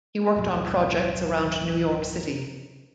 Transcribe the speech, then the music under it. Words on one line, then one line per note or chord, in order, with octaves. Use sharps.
He worked on projects around New York City.
D1 B1 F#2 F#3